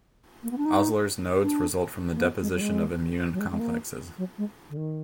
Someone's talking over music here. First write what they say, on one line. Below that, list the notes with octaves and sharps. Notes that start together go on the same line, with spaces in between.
Osler's nodes result from the deposition of immune complexes.
A#3
B3
D4
D#4
D4
A#3
B3
G#3
F#3
G#3
F#3
G#3
G#3
A#3
F#3
G#3
D3
D#3